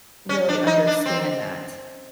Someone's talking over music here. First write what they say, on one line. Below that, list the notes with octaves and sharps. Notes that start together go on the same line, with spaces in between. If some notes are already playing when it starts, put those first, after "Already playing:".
really understand that
C#4
D4
D#4
D4
C4